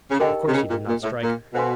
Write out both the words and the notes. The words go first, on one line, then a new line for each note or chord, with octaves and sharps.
Of course he did not strike.
C#3
D3 D#4 G4 A#4 D#5 G5
C3
C#3
A#2
A#2
A2
A#2
B2 A4 C5 F5 G#5 C6